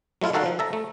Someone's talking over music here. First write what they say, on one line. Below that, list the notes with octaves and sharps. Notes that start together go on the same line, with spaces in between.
It is.
F#3 A3 E4 F4
D#3 F#4 A4 A#4 F5 F#5
F3
A4 E5 A#5
A3